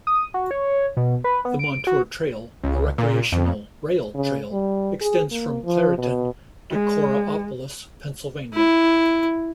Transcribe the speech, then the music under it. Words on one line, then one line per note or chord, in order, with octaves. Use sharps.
The Montour Trail, a recreational rail-trail, extends from Clairton to Coraopolis, Pennsylvania.
D#6
F#4
C#5
B2
B4
B3
D7
F#4
C#2
A#2
F2
C#3
G3
G#4
A#3
F3
B2
G#3
E4